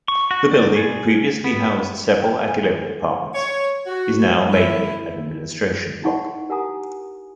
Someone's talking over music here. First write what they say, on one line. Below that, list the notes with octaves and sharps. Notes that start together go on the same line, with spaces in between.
The building, previously housed several academic departments, is now mainly an administration block.
C#6
F#4
D5
G#4
B3
G5
G#5
C#5
F#4
E4
D#4 E4 A4 F#5 A5 C#6
G4 A#4 F#5 G#5 A#5 D#6